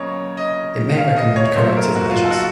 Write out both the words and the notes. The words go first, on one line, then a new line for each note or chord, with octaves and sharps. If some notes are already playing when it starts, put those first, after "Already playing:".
It may recommend corrective measures.
Already playing: C#3 F#3 A#3 C#5 D#5
D#5
F5
D#5
C#5
A#2 F#3 A3 C5
A#4
F#4
F4
F#4
A4
F#4